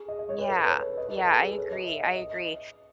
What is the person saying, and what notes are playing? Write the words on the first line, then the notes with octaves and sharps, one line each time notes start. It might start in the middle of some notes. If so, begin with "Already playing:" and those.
Yeah, yeah. I agree, I agree.
Already playing: G#4
D#5
D#5
C#5
B4
A4
B4
C#5
D#5
B4
A4
G#4
A4
C#5
D#5
E5
D#5
D#5